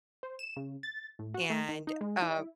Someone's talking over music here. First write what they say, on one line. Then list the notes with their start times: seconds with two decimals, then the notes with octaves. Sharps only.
And, uh
0.23 C5
0.39 E7
0.56 C#3
0.83 A6
1.19 A2
1.34 F#4
1.50 A3
1.69 D#3
1.87 D#4
2.01 G#3
2.22 E4